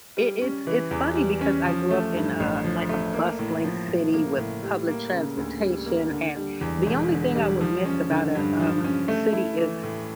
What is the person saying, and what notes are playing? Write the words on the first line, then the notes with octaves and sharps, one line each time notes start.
it it's it's funny because I grew up in a, like, a bustling city with public transportation, and the only thing I would miss about a, um, city is
G3
C#4
E3
E2
G3
C#4
F3
A3
G2
A1
F3
A3
A#3
A2
F3
A2
A#3
A2
G3
A#3
C#3
D2
G3
A#3
D3
G3
E2
E1
D3
G3
F3
C#4
D3
G2
F3
C#4
A3
E4
E3
A2